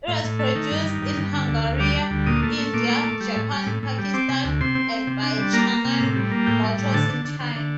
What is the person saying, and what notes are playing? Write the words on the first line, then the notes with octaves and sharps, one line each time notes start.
It was produced in Hungary, India, Japan, Pakistan and by Chang'an Motors in China.
A2
A2
A3
D#3
G2
D#3
G2
G2
D3
D2
D2
G3 D6
G3
D2
A#2 D#6
A3
A3
A#2 D6
A3
A3
G3
A2
G3
A2
A2
G3
C4 D6
C3
D2
C3 C6
C4
C4
C3
D4
G3
A#3 A#5
A#3
C3
A2
G3
A#3
A2 G5
G3
A2
D3 A5
D3
D3
D3
D3